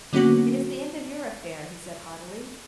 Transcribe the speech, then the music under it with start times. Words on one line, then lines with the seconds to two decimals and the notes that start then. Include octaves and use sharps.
'It is the end of your affair,' he said haughtily.
0.13 D3 F#3 A#3 B3 C#4 F#4